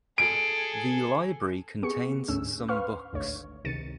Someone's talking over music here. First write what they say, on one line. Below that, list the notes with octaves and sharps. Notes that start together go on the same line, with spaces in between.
The library contains some books.
G#4 A4 D7
B3 G4 G#4 C#6 C#7
D2 G#2 C#4 E6
B4 F5 C6 C#6 F6
G#1 D2 C#5
C#2 C3 D#3 A6 C#7 D#7